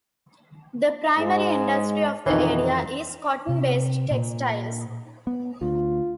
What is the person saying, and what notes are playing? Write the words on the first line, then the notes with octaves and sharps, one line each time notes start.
The primary industry of the area is cotton-based textiles.
G#2 G#3
F2 B2 D#3 E3 D#4
C3
A#2
B3
D2 F4